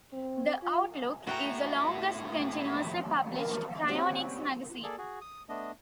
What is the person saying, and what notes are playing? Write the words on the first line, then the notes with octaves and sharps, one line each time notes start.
"The Outlook" is the longest continuously published cryonics magazine.
C4
F4
A2 E4 F#4 G5 A#5
A#4
G3 C4 C#4 F#4
A#3 G#4 A4 D5
F#4 G#4
D#6
A3 B3 D4 D#5